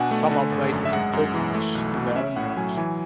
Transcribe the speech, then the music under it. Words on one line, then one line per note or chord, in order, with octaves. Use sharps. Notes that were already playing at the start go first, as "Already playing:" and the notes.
Some are places of pilgrimage in their own right.
Already playing: B2 D4 F#5 G#5
A3
D3
G#1
F#2
E5
G#3 F#5
F#2
E3
A3
B1
B2
C#4 E5
A2 F#5
F#3 G#5
E3 G#5